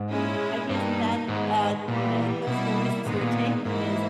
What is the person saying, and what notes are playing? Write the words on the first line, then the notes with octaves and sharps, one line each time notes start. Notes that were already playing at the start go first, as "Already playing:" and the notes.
I guess that, uh, you know, those are the risks we're taking as
Already playing: G#2
A#2 G#3 C#4 E4
G2 B2 A#3 D#4
G#2 D#3 G#3 B3
A#2 E3 G3 B3
B2 G3 A#3 E4
A#2 D#3 G#3 B3 D#4
G#2
A#2
G#2 E3 A#3 E4